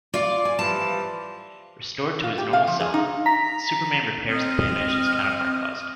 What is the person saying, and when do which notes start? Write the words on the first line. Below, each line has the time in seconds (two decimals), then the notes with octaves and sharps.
Restored to his normal self, Superman repairs the damage his counterpart caused.
0.14 F4 D5 F5
0.45 G#5
0.59 E3 F3 G3 A5
2.24 F4
2.38 G4
2.53 F5
2.68 F3
2.80 G#4
2.94 D#4
3.26 A#5 B6
4.29 C4 D#5 F6